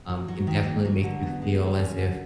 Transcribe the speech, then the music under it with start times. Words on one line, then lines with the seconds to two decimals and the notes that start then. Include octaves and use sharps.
um, can definitely make you feel as if,
0.09 F#3
0.28 F#3
0.47 D#3
0.65 A#3
0.85 F#3
1.04 D3
1.23 B3
1.42 G#3
1.60 D#3
1.79 C#4
1.98 D3